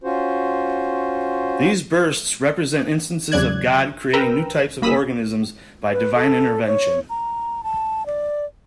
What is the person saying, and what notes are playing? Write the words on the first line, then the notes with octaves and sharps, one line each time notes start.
These bursts represent instances of God creating new types of organisms by divine intervention.
C#4 F4 F#4 C5
E2 C#3 F#3 D5 F#6 G#6
A#4 B4 G5 A#5 E6
G1 A#3 B5 D#6 E6 B6
B4
A4
C#5
A#5
A5
D5